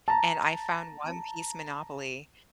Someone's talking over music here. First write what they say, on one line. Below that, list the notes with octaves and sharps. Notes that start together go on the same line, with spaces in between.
and I found One Piece Monopoly.
A5 A#5